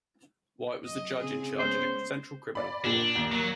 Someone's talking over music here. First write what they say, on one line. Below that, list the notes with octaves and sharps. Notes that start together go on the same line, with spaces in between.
White was the Judge in Charge of the Central Criminal Court.
F#2 D#5
C#3 C4 G#4
G#3 B3 C#4 C5
D5 B5
A#2 D4
D#2
F#3 A#3